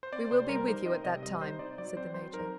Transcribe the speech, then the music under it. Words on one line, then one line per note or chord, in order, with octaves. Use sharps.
"We will be with you at that time," said the major.
C5
C4 D5
C3 C5
G3 A#4
D#4 C5
C4 D#5
C3 D#5
G3 D#5
D#4 C5
D#4 D5
F#3 D5
C4 C5
F#3 C5
D#4 A#4